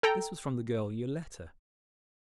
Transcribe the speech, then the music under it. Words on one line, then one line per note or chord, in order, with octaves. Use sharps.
This was from the girl Yoletta.
A4 G5 A#5